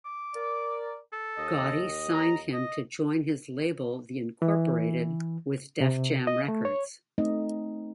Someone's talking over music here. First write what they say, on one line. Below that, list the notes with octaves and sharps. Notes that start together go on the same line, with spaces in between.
Gotti signed him to join his label The Incorporated with Def Jam Records.
D6
A#4 D5
A4
D#2 D#5
A#5
D#5
E3
C3
D#5
A3
C#5
A3 C4 D#4 D#5